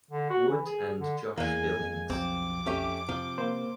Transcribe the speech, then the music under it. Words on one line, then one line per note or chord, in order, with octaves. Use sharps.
Wood and Josh Billings.
D3
F#4
E3
G#4
D3
E2 G#3 A#3 G#5
F2
B1 F3 C4 D6
F2 A3 C#4 G4
C3 F3
A#3 C5